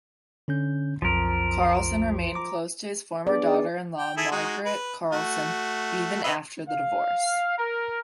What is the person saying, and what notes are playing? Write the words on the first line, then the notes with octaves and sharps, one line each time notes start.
Carlson remained close to his former daughter-in-law Margaret Carlson even after the divorce.
D3 C#4 G6
B1 F2 F3 A#4
A#5 D6
B3 D4 G#4 D5
G5
E4 G#4 A4
G#3 D#4 F#4
B4
A3 F#4
B4 D#5 E5
F5
A#4